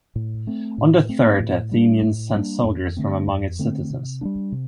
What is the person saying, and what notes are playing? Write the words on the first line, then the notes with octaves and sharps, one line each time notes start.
On the third, the Athenians sent soldiers from among its citizens.
A2
A3 C4
A2
A3 C4
A2
G3 A#3 D4
A2
G3 A#3 D4
F2
D3 A3 C4
F2
D3 A3 C4
C3
G3 A#3 D4
C3